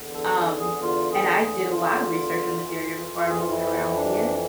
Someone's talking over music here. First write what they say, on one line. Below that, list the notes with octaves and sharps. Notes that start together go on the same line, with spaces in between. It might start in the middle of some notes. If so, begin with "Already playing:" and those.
um, and I did a lot of research in this area before I moved around here,
Already playing: E2 D3
A4
G#4
F4
G#4
G#4
F4
F2 E3
G#4
F4
E4
D4